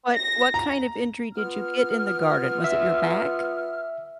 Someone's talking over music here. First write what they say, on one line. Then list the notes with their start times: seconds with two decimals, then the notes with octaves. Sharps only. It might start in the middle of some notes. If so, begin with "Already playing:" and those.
What what kind of injury did you get in the garden? Was it your back?
0.16 A#6
0.54 A#5
1.35 B3 F4 F6
2.64 E5